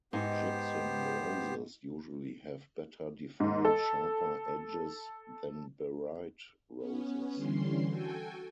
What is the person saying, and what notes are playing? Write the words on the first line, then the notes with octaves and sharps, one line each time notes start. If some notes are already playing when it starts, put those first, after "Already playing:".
Gypsum roses usually have better defined, sharper edges than baryte roses.
G#2 B3 D#4 G4 C5
G#2
A4
B3 C#4
D3 E3 G3 C#4 C6
F#4 A4 G5 G#5